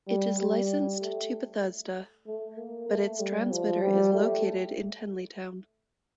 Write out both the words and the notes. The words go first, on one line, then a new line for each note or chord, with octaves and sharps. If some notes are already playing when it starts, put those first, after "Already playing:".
It is licensed to Bethesda, but its transmitter is located in Tenleytown.
G3
G3
A3
A3
A#3
A3
G3
F3
G3
A3